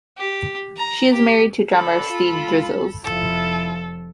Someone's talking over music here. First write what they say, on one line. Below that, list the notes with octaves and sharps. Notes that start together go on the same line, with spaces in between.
She is married to drummer Steve Drizos.
G4
A#5
G4
D3 A4 B5
F4
F1 F3 E4 F4 A4